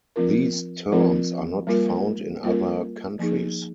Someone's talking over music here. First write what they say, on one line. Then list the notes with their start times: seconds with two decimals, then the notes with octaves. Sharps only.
These terms are not found in other countries.
0.16 F3 C4 F4 A#4
0.92 F3 C4 F4 A#4
1.67 G3 A#3 F4 A#4
2.43 G3 A#3 F4 A#4
3.19 F3 A#3 D#4 G#4